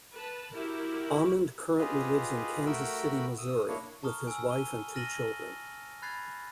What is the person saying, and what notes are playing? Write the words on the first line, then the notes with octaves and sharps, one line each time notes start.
Amend currently lives in Kansas City, Missouri with his wife and two children.
B4 A5
E4 F#4 G4 A#4
F4 G4 G#4 B4 D#5
A3 F#4 A#4 G5 B5 E6
D#6 E6
A#3 D4 E4 C#5
A5 A#5 C#6 D#6 F6
G#5 E6
D#7 G7
F6 A6 A#6 D#7 F#7 G7
B5 F#6 G#6 A6 C7